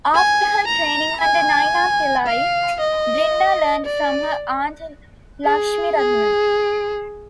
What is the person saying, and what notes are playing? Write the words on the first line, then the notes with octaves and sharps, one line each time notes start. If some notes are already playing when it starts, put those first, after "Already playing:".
After her training under Naina Pillai, Brinda learnt from her aunt Lakshmiratnam.
G#5
A#5
G#5
F5
D#5
D5
G#4
G#4